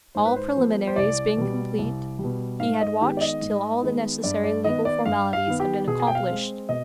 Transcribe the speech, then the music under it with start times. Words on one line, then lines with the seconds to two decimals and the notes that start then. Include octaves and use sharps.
All preliminaries being complete, he had watched till all the necessary legal formalities had been accomplished.
0.15 G#2 C5
0.25 B4
0.36 C5
0.56 F3 B3
0.87 C5
0.96 C2 D5
1.37 B2 G3
1.79 C2
2.19 B2 G3
2.60 G#2 F5
2.81 D#5
3.01 D#3 G#3 B3 G4
3.17 D5
3.21 D#5
3.42 G#2
3.82 D#3 G#3 B3
4.24 G2 D5
4.44 D5
4.64 D#3 B3 D#5
4.85 D5
5.06 G2 F5
5.33 F5
5.47 D#3 B3
5.60 G4
5.87 B2 G#4
6.00 G#5
6.07 G5
6.15 F5
6.28 G#3 C4
6.69 B2 D#5